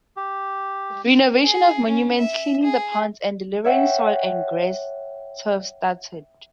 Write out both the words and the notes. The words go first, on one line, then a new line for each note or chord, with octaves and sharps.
Renovation of monuments, cleaning the ponds and delivering soil and grass turf started.
G4
G#4
C#4
E5
G#4
C#5 E5 F#5 G5